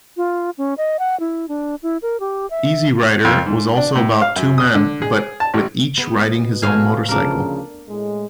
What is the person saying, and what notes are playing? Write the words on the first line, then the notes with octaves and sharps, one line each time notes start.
"Easy Rider" was also about two men, but with each riding his own motorcycle.
F4
C#4
D#5
F#5
E4
D4
E4
A#4
G4
E5
F2
G#2
D4
A2
F5
F#2
D#6
D3
G#4
A5
A1
B3
B2
A2 F5 G#5
D2 C#3 F3 D4 A#4
A2 G#3